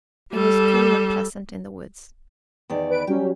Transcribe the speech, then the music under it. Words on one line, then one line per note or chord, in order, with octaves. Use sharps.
It was cool and pleasant in the woods.
G3 A4
E2 D#3 D5
B4 D7
F#3 G3 C#4 G4